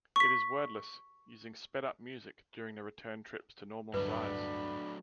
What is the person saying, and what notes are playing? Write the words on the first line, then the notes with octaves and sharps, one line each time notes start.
It is wordless, using sped-up music during the return trips to normal size.
C#6 B6
D1 G1 G2 F#3 A3 D4 B4 B5